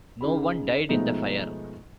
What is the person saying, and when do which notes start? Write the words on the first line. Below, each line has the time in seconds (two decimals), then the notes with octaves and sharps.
No one died in the fire.
0.21 C#3 D#4 G#4 B5
0.89 B2 F3 G#3 A3 B3 D#4